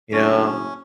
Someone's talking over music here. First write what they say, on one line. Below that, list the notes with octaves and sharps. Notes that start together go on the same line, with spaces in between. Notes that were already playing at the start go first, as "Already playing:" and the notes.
You know?
F#1 C#4 D4 C#5